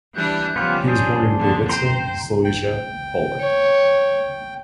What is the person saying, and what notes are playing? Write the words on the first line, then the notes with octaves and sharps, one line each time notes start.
He was born in Gliwice, Silesia, Poland.
E3 G3 D4 F#6 G6
F3 G3 B3 C#4 F4 G4
F#2 D4 G#4 C5
F2 A#2 D3
C5 G5 A#5 C6
G5
C#5